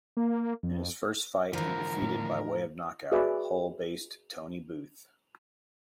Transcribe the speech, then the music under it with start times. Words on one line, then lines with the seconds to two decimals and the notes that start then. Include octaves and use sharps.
In his first fight he defeated by way of knockout, Hull-based Tony Booth.
0.17 A#3
0.63 F2
1.53 G#2 D3 E3 F3 A#4
2.02 A2
3.12 F#4 G#4 B4 D5 E5